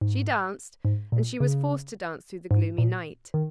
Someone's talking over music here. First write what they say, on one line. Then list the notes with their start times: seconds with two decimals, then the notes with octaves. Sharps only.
She danced, and she was forced to dance through the gloomy night.
0.01 G#2
0.85 G#2
1.12 A#2
1.40 C#3
2.51 G#2
2.78 A#2
3.34 D#3